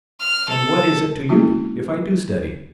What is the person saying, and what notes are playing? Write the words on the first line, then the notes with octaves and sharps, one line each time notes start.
"And what is it to you, if I do study?"
F6
A4
G#3 A#3 C4 C#4 E4 F#4